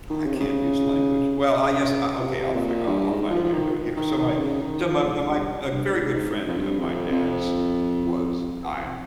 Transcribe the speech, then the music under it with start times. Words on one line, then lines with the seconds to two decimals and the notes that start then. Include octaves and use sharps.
oh, I can't use language. Well, I guess, uh, okay. I'll f I'll find a way to do it here. So my so my my a very good friend of my dad's was dying.
0.10 D#3
0.26 C#3
0.33 C3
0.40 C#3
1.56 C#3
2.22 C3
2.54 A#2
2.87 G2
3.10 G#2
3.30 F3
3.44 F3
3.53 D#3
3.96 D#3
4.18 D#3
4.40 C#3
4.61 D#3
4.84 F3
5.05 G#2
5.27 G2
5.71 G2
5.92 G#2
6.14 G#2
6.48 F2
6.58 G2
6.79 F2
7.12 F2
8.76 F2